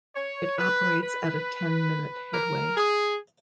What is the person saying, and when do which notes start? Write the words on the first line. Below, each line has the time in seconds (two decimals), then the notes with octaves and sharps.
It operates at a ten-minute headway.
0.16 C#5
0.59 B4
1.02 B4
2.33 A#4
2.77 G#4